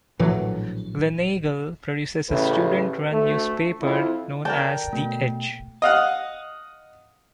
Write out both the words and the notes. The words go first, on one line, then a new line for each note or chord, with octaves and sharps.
Gleneagle produces a student-run newspaper known as The Edge.
A#1 A2 E3 F#3
A1 A2 C#3 B4
D2 A3
F2 E4
D3 A#4 D5 G5 A5 A#5
B2 A3
D#5 F5 F#5